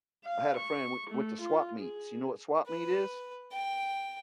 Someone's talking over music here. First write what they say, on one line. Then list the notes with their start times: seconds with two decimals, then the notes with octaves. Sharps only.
I had a friend we went to swap meets. You know what swap meet is?
0.24 F5
0.57 C#6
1.10 A3
1.41 F4
1.80 G#4
2.67 B4
3.52 G5